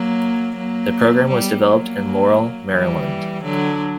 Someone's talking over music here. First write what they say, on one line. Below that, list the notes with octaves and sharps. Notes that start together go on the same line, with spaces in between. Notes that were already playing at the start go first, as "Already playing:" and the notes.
The program was developed in Laurel, Maryland.
Already playing: F#3 A#3
F#3 A#3
G3 B3
F#3 A#3
E3 G3
D3 F#3